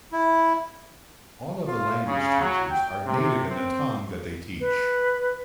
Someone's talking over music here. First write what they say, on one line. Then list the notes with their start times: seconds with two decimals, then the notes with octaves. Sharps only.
All of the language teachers are native in the tongue that they teach.
0.12 E4
1.67 F4
2.06 C#3
2.41 F#3
2.71 G5
3.06 C3
3.48 C4
4.60 B4